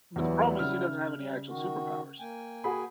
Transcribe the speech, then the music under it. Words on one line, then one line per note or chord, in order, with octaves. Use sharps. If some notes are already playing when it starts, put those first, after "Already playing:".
But the problem is he doesn't have any actual superpowers.
E2 E3 F#3 G3 E4
C#3 E5 F6
G3
D#3 F#4
A#3 G5 G#5
F#4 G#4 B5